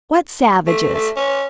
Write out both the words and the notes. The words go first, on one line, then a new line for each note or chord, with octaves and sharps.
"What savages?"
A3
A3
C#4